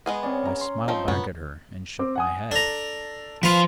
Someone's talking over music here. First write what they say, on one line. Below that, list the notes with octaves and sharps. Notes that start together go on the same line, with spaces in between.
I smiled back at her, and shook my head.
G#3 B3 G#4
C4 C#4 D5
A#5
C6
F3 C4 D#4 F4
F#2 A2 C3 B3 C#5
C4 D6
F#5 G#5 D#6
D4 A4 A#5
F3 B4 C5 F5